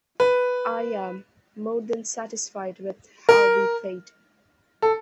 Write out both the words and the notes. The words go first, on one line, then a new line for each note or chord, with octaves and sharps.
I am more than satisfied with how we played.
B4
A#4
A4